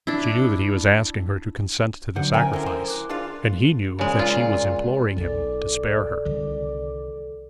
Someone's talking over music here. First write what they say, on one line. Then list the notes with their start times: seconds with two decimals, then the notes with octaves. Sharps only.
She knew that he was asking her to consent to the sacrifice, and he knew that she was imploring him to spare her.
0.07 D4 E4
2.16 D3 F#3 C5 F#5
2.33 C#4 A#4 C5 E5 G5 G#5
2.53 D3 C#4 E4 A4 A#4
2.66 C5
2.88 D6 F#6
3.09 D4 F4 G#4 F5 C6 A6
3.99 A#2 C#3 G#3
4.19 F4
5.18 B1 A4 D5
6.25 C2 D3 D#3